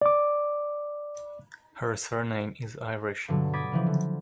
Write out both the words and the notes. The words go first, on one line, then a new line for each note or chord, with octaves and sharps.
Her surname is Irish.
D5 D6
G2 B2 D3 F#3
B5 D6 D#6 G#6 A6 B6
C#3 E3 F3
D3